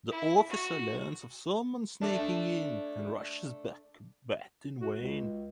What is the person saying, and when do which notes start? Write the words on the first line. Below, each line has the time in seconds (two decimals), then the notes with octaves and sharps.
The officer learns of someone sneaking in and rushes back but in vain.
0.11 E4
0.49 F#4
2.01 A3 D4
4.81 F#4
4.98 C#2